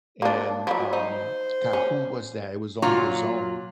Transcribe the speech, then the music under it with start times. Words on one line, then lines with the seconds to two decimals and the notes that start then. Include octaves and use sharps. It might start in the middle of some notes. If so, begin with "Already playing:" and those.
and, um, god, who was that? It was on DAZN.
0.22 A#3 D4
0.67 F3 F#3 B5
0.93 D#4 C5
1.73 C#4
2.82 A#2 F#3 F4 A#5